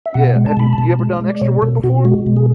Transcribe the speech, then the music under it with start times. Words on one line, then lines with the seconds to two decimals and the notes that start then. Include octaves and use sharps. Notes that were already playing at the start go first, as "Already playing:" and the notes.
Yeah, have you you ever done extra work before?
0.06 E5
0.14 B2 F#5
0.36 G#3
0.46 A5
0.57 B2 B5
0.73 A5
0.78 B2
0.99 G#3
1.21 G#3
1.30 D5
1.41 B2 C#5
1.62 B2 A4
1.84 B2 F#4
2.05 G#3 F#4
2.26 B2
2.37 G#4